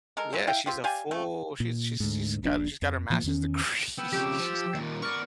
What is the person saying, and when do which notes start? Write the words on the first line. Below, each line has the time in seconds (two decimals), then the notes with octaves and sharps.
yeah, she's a full oh, she's she's she's got she's got her master's degree, she's got
0.17 G#3 A4 A#4
0.33 F#3 G#3 E4
0.47 E4 F5 G5
0.66 C4 F4 G4
0.84 G4 D5 F5 G#5
1.11 C#3 A3
1.60 A#2
2.00 D2 G#2
2.43 D#1 A#1 C4 D4
2.82 F2
3.10 A2 E3 F3 A#3
3.24 E2 D#3 C#4
3.98 B3 G5 E6
4.12 F2 C#3 G4
4.39 F3
4.74 D#2 A#2
5.02 B3 A#4 D5 C#6